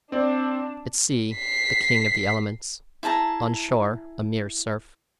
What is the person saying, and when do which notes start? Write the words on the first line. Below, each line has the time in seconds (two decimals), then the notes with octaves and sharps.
At sea, the king of the elements; on shore, a mere surf.
0.12 C4 D4 D5
1.36 B6 C7
3.03 E4 G#4 A5 A#5